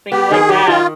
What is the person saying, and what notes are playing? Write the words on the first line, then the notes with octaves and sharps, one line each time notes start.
things like that.
B3 G4
D#3 G#4
F#3 G4
D#3 F4